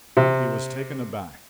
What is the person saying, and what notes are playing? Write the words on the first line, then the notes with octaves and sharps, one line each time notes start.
He was taken aback.
C3